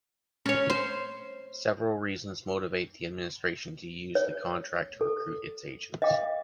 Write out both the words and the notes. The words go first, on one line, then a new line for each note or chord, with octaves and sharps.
Several reasons motivates the administration to use the contract to recruit its agents.
C#4 C#5
C5
C#5
A4
D#5 F5 G5 D6